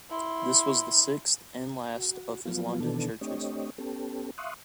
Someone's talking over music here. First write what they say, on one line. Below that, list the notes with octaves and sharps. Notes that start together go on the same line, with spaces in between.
This was the sixth and last, of his London churches.
E4 C6
F#4
F3 F#3 B3 F4
B2 D#3 E3 B3 D4 A4
A3 C4 D4 G4 C#5 D#5
B3 C#4 G4 A4
E5 F5 C6 C#6 D#6 F#6